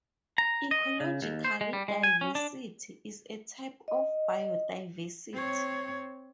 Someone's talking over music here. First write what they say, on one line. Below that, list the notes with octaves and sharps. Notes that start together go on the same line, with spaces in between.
Ecological diversity is a type of biodiversity.
A#5
D#5
C#3
D#2
C5
G#3
G3
G#3
G#5
C#4
D4
D#5
C4 C#5